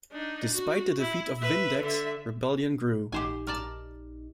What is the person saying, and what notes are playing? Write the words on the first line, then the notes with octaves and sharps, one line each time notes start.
Despite the defeat of Vindex, rebellion grew.
D4 D#4
F#4
E4
B4 E5
D3 E5
A#1 D#4 G4 C5 G#5
A#4 D5 A5